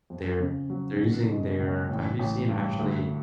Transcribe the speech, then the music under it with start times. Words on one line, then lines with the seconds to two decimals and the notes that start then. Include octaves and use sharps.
they're they're using their have you seen actually,
0.10 F2
0.40 C#3
0.70 F#3
1.00 B2
1.30 G#3
1.59 C#2
1.89 A1
2.19 A1
2.49 G2
2.79 D2